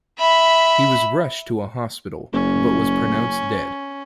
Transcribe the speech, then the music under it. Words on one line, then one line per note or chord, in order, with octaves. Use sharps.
He was rushed to a hospital but was pronounced dead.
E5 B5
F#1 C#4